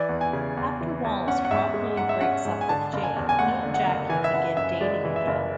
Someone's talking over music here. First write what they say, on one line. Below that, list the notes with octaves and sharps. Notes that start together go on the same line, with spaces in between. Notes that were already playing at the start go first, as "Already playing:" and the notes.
After Wallace properly breaks up with Jane, he and Jackie begin dating again.
Already playing: E3 D5
E2
G#5
C#3
E2
E3
E2
C#4 F#5
F#5
G#2 E5
G#3
G#2 F#5
E5
C#4 F#5
G#2
G#5
D3 A5
F#1
G#5
E2
G#5
A3 F#5
D3
F#5
F#1
E3 G#5
E5
F#1 F#5
F#2 E5
G#3 D5
E3
E5
F#1